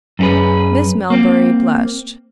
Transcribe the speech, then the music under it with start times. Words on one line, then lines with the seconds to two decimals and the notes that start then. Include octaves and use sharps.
Miss Melbury blushed.
0.19 F#2 B3 C#4 G#4 B4
1.10 A#3 C4